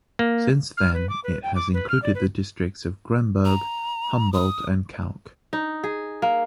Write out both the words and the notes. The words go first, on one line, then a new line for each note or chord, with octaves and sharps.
Since then it has included the districts of Gremberg, Humboldt and Kalk.
A#3
F6
B4
D6
B4
G5
D6
B4
F6
D5
B4
A#5
D#6
D#4
G#4
A#3